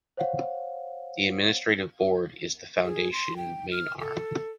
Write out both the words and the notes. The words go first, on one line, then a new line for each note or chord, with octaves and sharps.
The Administrative Board is the foundation main arm.
C5 C#5 F5 F#5
G#4
C6
G5
F6
A4